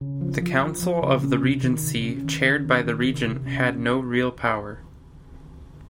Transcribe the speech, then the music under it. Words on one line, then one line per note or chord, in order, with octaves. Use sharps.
The Council of the Regency, chaired by the regent, had no real power.
C#3
F3
F3
F3
F3
C#3
C#4
C3
D#3
C3
C#4
D#3
C#4
D#3
D#3
C3
C3
C#4